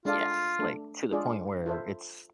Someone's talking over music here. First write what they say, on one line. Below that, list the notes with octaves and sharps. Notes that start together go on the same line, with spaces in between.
Yes. Like, to the point where it's
G#3 D4 F4 A4 D5 F5
A3 D4 A4
G#3 D4 F4 G#4 D5
F4 A4 C5 E5